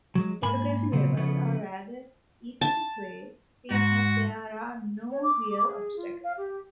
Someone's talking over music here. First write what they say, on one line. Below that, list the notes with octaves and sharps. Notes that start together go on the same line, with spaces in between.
Photography levels are rather easy to play, seeing as there are no real obstacles.
F#3 G#3
G#2 A#3 G#5 B5
C2 A#2 C#3 F#3 B3 C4
C#3 F3 A3 B3
A5
G#2 F#4
C#5
D6
G#4
F4
F5
G4